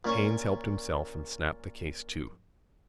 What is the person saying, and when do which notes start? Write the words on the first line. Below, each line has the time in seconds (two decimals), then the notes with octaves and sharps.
Haines helped himself and snapped the case to.
0.05 A#2 C#4 C#6